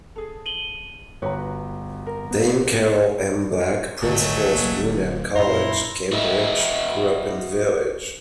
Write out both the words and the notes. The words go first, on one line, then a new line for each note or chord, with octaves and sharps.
Dame Carol M. Black, principal of Newnham College, Cambridge, grew up in the village.
G#4 A4
D#7 F#7 G7
G1 F#4 B4 C#5 A#5
A#4
B3
G#1 D2 F#3 G#3 A3
F#1 B1 A#3
D1
F#2 A#2 E4 A#5 C6
F#4 B4 D#5 E5